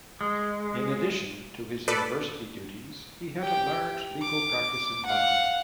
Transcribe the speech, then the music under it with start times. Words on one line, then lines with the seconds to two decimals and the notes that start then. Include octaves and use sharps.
In addition to his university duties, he had a large legal practice in London.
0.21 G#3
1.88 A4 B4 D5
3.42 G4 G5
4.22 D6
5.06 F5 F#5